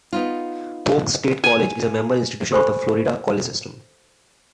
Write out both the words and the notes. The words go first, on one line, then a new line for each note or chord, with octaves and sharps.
Polk State College is a member institution of the Florida College System.
B3 D#4 F4
G#5
G4 A4 C5 G#5 B5 C#6